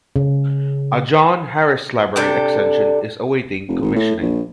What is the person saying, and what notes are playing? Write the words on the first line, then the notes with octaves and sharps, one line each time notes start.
A John Harris Library extension is awaiting commissioning.
C#3
C3 D4 A4 G5
F1
G#1
A2
A#1